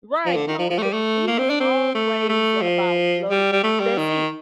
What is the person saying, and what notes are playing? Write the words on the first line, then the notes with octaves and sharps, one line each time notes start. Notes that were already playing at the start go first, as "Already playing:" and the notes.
right, you know, eh, he was always about love. That's it,
F3
D3
D#3
F3
F3
A3
G3
A3
A#3
C4
D4
C4
A3
A3
F3
G3
G3
A3
G3
D#3